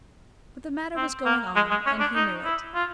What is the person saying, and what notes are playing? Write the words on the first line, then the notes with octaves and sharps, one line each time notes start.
But the matter was going on, and he knew it.
C4
A#3
G#3
G#3
C#4
D4
D#4
E4
F4